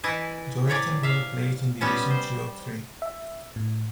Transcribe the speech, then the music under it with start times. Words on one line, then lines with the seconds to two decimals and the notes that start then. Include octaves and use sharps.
Droylsden were placed in Division Two of three.
0.04 E3 E4 B4 D#5 G#5 A5
0.67 A2 C3 C#5 D5 G#5
1.03 E5 F5
1.81 G3 B3 C#4 A5
2.11 C5
3.02 E5
3.56 A2